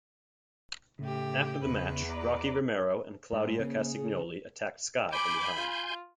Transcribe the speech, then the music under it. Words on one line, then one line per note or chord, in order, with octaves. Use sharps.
After the match Rocky Romero and Claudio Castagnoli atttacked Sky from behind.
A2 C#3 G4
E2 B4
D5 A#5 D6
G#2
C#3 A#3
G#4
G#5 B5 C6 D6 G6
F4